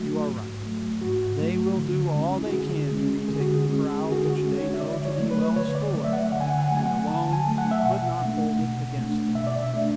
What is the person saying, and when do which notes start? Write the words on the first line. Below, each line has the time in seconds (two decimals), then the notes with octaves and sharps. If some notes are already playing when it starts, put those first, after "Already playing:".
"You are right; they will do all they can to retake the corral, which they know to be well stored; and alone you could not hold it against them."
Already playing: F#3 A3 F#4
0.26 G#2
0.63 F#3 A3
1.01 G#2 F#4
1.39 F#3 A3
1.77 D3
2.15 G#3 C#4
2.38 E4
2.46 F#4
2.53 D3 G#4
2.91 G#3 C#4
3.28 D3 G#4
3.40 F#4
3.51 G#4
3.66 G#3 C#4
4.05 D3 G#4
4.12 F#4
4.19 G#4
4.30 F#4
4.42 G#3 C#4
4.55 C#5
4.74 E5
4.80 D3 D5
5.05 C#5
5.18 F#3 A3
5.31 B4
5.56 D3 C#5
5.75 D5
5.94 F#3 A3 D5
6.04 E5
6.13 F#5
6.32 D3 F#5
6.40 G#5
6.50 F#5
6.59 G#5
6.68 F#3 A3 F#5
6.77 G#5
6.86 F#5
7.07 D3 A5
7.33 G#5
7.46 F#3 A3
7.58 F#5
7.71 E5
7.83 B2 F#5
8.22 A3 D4
8.60 B2
8.97 A3 D4
9.35 B2 E5
9.47 D5
9.60 E5
9.73 A3 D4